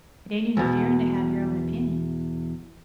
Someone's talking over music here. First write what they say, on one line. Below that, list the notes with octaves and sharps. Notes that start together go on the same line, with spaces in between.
It ain't interfering to have your own opinion.
E2 B2